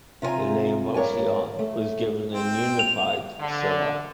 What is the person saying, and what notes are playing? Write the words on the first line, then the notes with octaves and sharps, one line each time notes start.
The name "Boseong" was given in Unified Silla.
C3 F4 C#5 G#5 A#5
G2 A#4 C#5 D5 G#5
A3
C4 G5
F7
D3